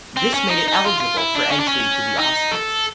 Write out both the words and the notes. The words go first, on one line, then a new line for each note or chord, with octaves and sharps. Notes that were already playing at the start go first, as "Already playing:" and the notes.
This made it eligible for entry to the Oscars.
C4
C#4
D#4
D#4
F4
F4
E4
D4
C#4
D4
C#4
D#4
A4